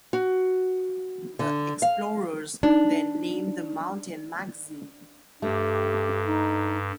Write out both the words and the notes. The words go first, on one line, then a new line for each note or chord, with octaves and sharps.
The explorers then named the mountain "Magazine".
F#4
D3
F5
D4 D#4
G2 A3 G4
D#4